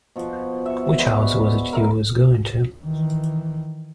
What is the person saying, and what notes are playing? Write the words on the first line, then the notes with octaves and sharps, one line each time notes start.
Which 'ouse was it you was going to?
B2 F3
E5 C#6
G#3 F#4 B4 D5
A#4 E5 C6
D#3 E3